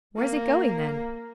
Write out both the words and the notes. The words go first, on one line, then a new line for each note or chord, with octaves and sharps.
"Where is it going then?"
A#3 A#4